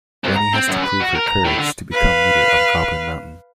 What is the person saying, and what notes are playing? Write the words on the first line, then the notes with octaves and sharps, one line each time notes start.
Gwenny has to prove her courage to become leader of Goblin Mountain.
C2
A#5
C4
F#2
B4
F#4
A#4
A#5
A2
D3
B4 F5